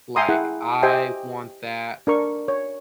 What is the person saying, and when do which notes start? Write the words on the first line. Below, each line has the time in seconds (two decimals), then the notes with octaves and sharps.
like, "I want that
0.16 E5 G5 G#5 A#5 C6 D#6
0.29 E4 G#4 F#5
0.83 G4 C5 D#5 E5 G5 G#5
2.07 D4 A#4 C#6
2.48 C#5